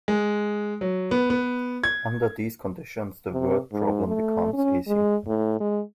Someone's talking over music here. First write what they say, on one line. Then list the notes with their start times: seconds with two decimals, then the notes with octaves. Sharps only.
Under these conditions the word problem becomes easy.
0.08 G#3
0.81 F#3
1.11 B3
1.30 B3
1.84 G#6
3.32 C3
3.73 G#2
4.07 A3
4.53 C#4
4.87 G#3
5.27 A2
5.60 G#3